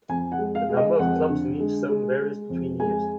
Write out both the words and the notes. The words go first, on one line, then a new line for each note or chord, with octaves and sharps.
The number of clubs in each zone varies between years.
F2 G#5
F#5
G#3
F5
G#3
D#5
F2 F#5
D3
G#3
G#3
G#3
F2
G#3 G#5